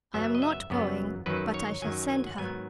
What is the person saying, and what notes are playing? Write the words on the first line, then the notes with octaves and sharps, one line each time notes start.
"I am not going, but I shall send her."
F#2 C#3 F#3 B3 E5
D#5
E5
F#2 C#3 F#3 B3
F#2 D#3 F#3 B4
C#5
F#2 D#3 F#3 G#5
G#5
F#5
G#2 D#3 F#3 B3 G#5